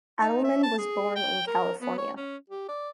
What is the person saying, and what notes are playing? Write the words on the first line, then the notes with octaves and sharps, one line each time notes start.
Adleman was born in California.
D#4
E5
A5
G#4
G5
A#4
B3
C#5
C#4
G4
D5